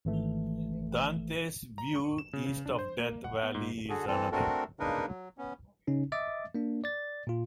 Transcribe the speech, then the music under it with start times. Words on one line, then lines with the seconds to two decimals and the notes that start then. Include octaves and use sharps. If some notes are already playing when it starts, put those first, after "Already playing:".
Dante's View east of Death Valley is another.
0.05 G#1 E3 A3
1.78 A#5
1.96 C#6
2.18 E7
2.33 C#3
2.46 C#3
2.66 D4
2.79 C5
2.99 A#3
3.24 F#5
3.43 B3
3.55 G#2
3.89 D3 F#4 G#4 A4
4.07 E3 C4 A4
4.32 A3 C4 D4 F#4 A4 A#4
4.80 C#3 A#3 D4 D#4 A#4 B4
5.07 F#3
5.38 B3 C#4
5.87 C#3 C#4 D#4
6.12 D#5 E5 D6 A6
6.55 A#3 D4
6.84 D5 A6
7.27 A#2 F4